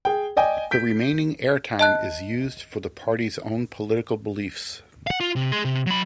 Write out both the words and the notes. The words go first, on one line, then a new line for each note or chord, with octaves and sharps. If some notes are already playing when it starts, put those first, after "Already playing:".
The remaining airtime is used for the party's own political beliefs.
G#4 G5
D5 D#5 G5 G#5
G6 B6 D7
D#5 A5 F#6
F5 F#5
F4
C3
G#4 C6
C3
F#3 B5